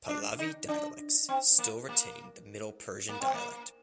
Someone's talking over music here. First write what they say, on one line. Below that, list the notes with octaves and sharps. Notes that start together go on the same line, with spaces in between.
Pahlavi dialects still retain the Middle Persian dialect.
D4
D#4
D4
C4
A#3
A#3
A#3
C4
A#3